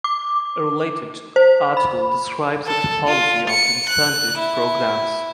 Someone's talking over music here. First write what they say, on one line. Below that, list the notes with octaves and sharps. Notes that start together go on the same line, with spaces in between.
A related article describes a typology of incentive programs.
D6
C5
B5
A4
F4
C#7
F#6
E4